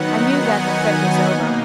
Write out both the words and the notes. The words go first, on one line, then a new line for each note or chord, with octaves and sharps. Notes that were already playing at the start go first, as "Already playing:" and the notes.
I knew that the fit was over.
Already playing: D#3 F#3 B3 D#4 F#5
G#5
B2 A#3 D#4